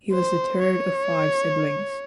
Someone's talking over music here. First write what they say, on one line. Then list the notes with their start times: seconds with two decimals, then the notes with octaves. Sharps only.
He was the third of five siblings.
0.13 C5
0.65 C#5